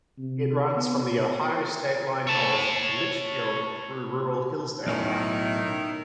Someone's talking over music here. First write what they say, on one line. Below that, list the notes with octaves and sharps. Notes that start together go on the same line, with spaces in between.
It runs from the Ohio state line north to Litchfield through rural Hillsdale County.
C3
B3
C#5 A5
B1 A2 D#3 C#4 E4